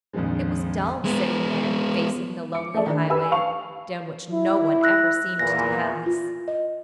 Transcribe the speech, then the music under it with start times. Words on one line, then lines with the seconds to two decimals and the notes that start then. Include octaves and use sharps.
It was dull, sitting there facing the lonely highway, down which no one ever seemed to pass.
0.13 A#1 F2 D3 D#3 F3 G#3
1.04 G#3 B3
2.55 D6 C#7
2.74 A3 G#4 A4 D5
2.86 D#3 D4
3.10 G4 B4 G#5 B5 E6
3.32 F5 A5 C#6 F7
4.31 E4
4.83 E6 F#6 A#6
5.39 E2 A#2 E3 A#6
6.06 F4
6.48 D#5